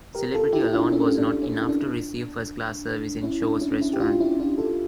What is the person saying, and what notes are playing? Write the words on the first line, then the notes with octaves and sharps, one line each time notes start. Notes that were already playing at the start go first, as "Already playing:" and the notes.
Celebrity alone was not enough to receive first-class service in Shor's restaurant.
G4 A#4
F4 A4
E4 G4
E4
D4 F4
C#4 E4
D4
C#4
E4
D4
C#4 E4
D4
C#4 E4
C#4 E4
G4
D4 F4
C#4 E4
D4 F4
F4 A4